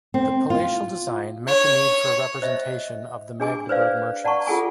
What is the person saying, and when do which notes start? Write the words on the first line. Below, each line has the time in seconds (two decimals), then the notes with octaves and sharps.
The palatial design met the need for representation of the Magdeburg merchants.
0.14 C4
0.50 F4
1.47 C#5
2.42 C5 D#5 E5
3.40 D4 G#4 G#5 D6
3.69 B4 C5 D5 F5
4.24 D5 F#5 A5 A#5 C#6
4.47 F4 G#4 A4 F#5 G#5 D6